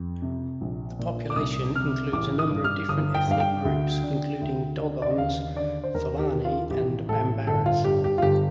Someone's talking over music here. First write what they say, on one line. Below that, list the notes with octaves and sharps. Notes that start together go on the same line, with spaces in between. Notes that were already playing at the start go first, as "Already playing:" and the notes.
The population includes a number of different ethnic groups including Dogons, Fulani and Bambaras.
Already playing: F2
C3
A#1
A#2
D6
C2 D#6
C3 F6
A1 D6
D#6
G2
F6
G1 D#6
G5
G2 F5
G5
D2
D3
D2
D3
D5
D#5
D#2 F5
D3 D5
C5
D#2 A#4
G4
D#3
F4
A1 G4
A2 A4
G1 A4
F4
G2 G4
G4
F4
G1 G4